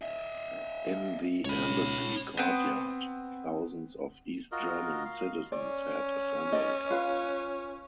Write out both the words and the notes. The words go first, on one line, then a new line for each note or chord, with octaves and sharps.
In the embassy courtyard thousands of East German citizens had assembled.
D#5 E5
C#2 C#5 B5
B3 C4
F4 F#4 A#4 D#5
F5
C#4 D5
D5 D#5
F4 B4 F5